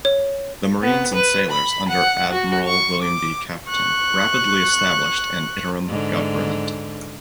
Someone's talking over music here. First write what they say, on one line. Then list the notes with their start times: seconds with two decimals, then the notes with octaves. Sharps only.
The Marines and sailors under Admiral William B. Caperton rapidly reestablished an interim government.
0.05 C#5
0.83 B3
1.14 B4
1.51 B5
1.88 F#5
2.32 F#4
2.67 C#6
3.02 D6
3.69 C#6 F#6
5.88 G#2 D3